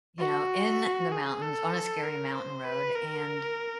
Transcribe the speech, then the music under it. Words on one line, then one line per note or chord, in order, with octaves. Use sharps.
you know, in the mountains on a scary mountain road, and
F#4
G#4
A4
A#4
C5
B4
A#4